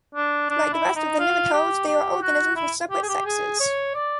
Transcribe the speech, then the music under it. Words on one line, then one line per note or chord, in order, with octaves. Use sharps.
Like the rest of the nematodes, they are organisms with separate sexes.
D4
D4
E4
D#4
F4
G4
G4
F#4
E4
G4
G#4
G4
G#4
C#5
D5